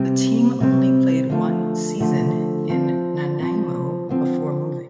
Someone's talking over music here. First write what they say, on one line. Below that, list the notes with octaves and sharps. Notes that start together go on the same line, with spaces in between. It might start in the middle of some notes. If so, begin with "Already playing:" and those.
The team only played one season in Nanaimo before moving.
Already playing: C3 G3 C4
C3 G3 C4
D3 F3 A3
D3 F3 A3
F3 C4
F3 C4
D3 F3 C4